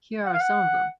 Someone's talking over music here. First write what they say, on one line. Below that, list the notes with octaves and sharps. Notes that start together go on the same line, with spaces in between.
Here are some of them.
F#5
F5
F#5